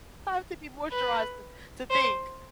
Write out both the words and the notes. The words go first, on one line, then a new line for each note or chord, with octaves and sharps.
I have to be moisturized, to to think.
B4
C5